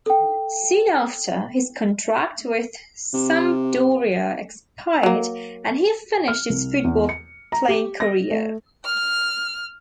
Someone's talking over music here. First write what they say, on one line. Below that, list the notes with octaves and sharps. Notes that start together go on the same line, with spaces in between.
Soon after, his contract with Sampdoria expired and he finished his football playing career.
A4 G5
C3
F#3 A#3
F6
C2
E2
C#7
A#5
G4
A#6
A3
F6